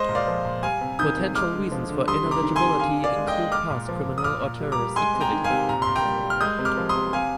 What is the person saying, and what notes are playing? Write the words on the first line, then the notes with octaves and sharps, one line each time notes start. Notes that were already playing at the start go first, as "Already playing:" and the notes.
Potential reasons for ineligibility include past criminal or terrorist activity.
Already playing: G#3 C5 D#5
A#2
D5 F5
F3
A#2
G3 F5 G#5
C3
D#3 D#6 G6
C3
G#3 D6 F6
D3
F3
D3
G3 C6 D#6
C3
A#5 D6
D#3
G#5 C6
C3
D3 F5 G#5
D3
D5 F5
G#3
D#5 G5
G#3
G#3 D6 F6
A#2
F3
A#2
D#6
A#2 D6 F6
A#2
G3
A#5 D6
G3
G#3 G#5 C6
C3
G5 A#5
D#3
F5 G#5
C3
A#2 A#5
A#2 C6
G5 A#5
G3
G3
F6
G#3 D#6 G6
C3
D6 F6
F3
C6 D#6
C3
C3 F5 G#5